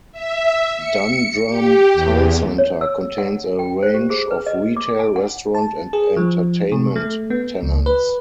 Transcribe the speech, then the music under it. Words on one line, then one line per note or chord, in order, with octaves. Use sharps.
Dundrum Town Centre contains a range of retail, restaurant and entertainment tenants.
E5
C#7
G4
E2
C#5
E6
F#5
G5
C5
G4
G#4
B4
D#5
D6
G#5
F#5
A5
G#4
F3
C3
A3
B3
C#2
B4